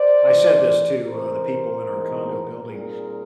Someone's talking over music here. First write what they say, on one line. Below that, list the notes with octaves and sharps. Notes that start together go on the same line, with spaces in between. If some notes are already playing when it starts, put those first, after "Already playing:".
I said this to, uh, the people in our condo building,
Already playing: C5 D5
G#2 E3 A3
C3 E3 G#3 A#4 C5
A2 E3 G#3 B3 D#4
A#2 G3 C4 D#4 G#4 A#4